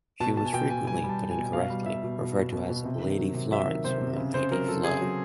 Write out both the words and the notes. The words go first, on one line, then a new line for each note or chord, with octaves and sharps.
She was frequently, but incorrectly, referred to as "Lady Florence" or "Lady Flo".
B2 A5
B2 A5
G#5
B2 G5
B2 G#5
G3 G#5
G3
A5
G3
G#5
B2
B2 F5
G3
B2 E5
B2
B2
B2
B2
B2
C3
D#3
F#3
C3
F#3 E5
D#3
C3 C5
C3
C#3
C#3 C5
F#3 A#4
F#3 A4
C#3 G#4
F#3